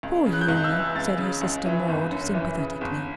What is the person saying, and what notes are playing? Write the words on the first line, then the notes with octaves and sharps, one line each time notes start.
"Poor you!" said her sister Maude sympathetically.
C#2
C#3
F#6
G6
C#2 F#6
E6
E3
C#2 A6
C#3
C#2
E3
G1
F#2
E3
C#3
G1